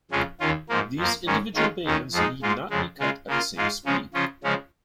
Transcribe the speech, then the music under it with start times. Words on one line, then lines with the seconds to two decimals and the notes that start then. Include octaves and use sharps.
These individual bands need not be cut at the same speed.
0.11 F2 C#3 G#3 C#4 F4
0.40 D#2 D#3 C#4 F4
0.69 G#2 F3 A#3
0.97 F2 F3 A#3
1.26 G#2 D#3 C#4
1.55 D#3 G#3 C#4 F4
1.84 D#2 D#3 C#4
2.12 F2 F3 G#3 D#4
2.42 G#2 G#3 F4
2.70 F2 C#3 G#3
2.99 C#3 G#3 F4
3.28 C#3 A#3 F4
3.56 G#2 G#3 F4
3.85 C#3 F3 G#3 C#4
4.14 C#3 F3 C#4 F4
4.44 C#3 F3 G#3 C#4